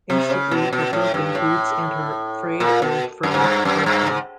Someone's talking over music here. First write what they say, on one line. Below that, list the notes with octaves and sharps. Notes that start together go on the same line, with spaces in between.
Instantly her broken boots and her frayed old frock hurt her.
C3
C#3
B2
B2
A2
G2
A2
A#2
B2
F#2
G#2
G2
F#2
G2
G#2